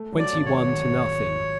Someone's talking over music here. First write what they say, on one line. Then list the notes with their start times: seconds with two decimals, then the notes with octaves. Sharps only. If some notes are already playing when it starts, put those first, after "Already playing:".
"Twenty-one to nothing."
Already playing: A3
0.12 F#3
0.19 D5
0.32 G#1
0.46 C#5
0.52 G#1
0.72 G#1